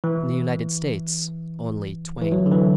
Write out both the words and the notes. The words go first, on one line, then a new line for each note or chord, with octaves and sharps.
In the United States, only Twain.
E3
E3
F#3
D3
E3